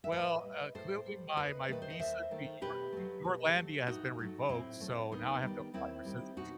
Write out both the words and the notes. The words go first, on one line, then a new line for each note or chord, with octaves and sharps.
Well, uh, clearly my my visa to Your to Yourlandia has been revoked, so now I have to apply for citizenship
E5
A2 B4 D#5
G3
A2 A4 C5
G3
D#2 B4 D#5
D#3 A3 B4
C5
D#5
D#2 C5 E5
D#3 A3
B2 G4 B4
F#3 A3
B2
F#3 A3
A2 D#4 F#4
F#3 A3
A2 C4 E4
F#3 A3
D#2 B3 D#4
D#3 G3
D#2 C4 E4
D#3 G3
B2 D#4 F#4